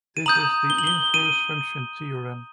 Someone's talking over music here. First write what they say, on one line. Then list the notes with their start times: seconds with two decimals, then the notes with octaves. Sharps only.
This is the inverse function theorem.
0.17 D#7
0.26 A#5 D#6 G6 F#7
0.70 G7
0.78 F#7
0.87 G7
1.14 D#7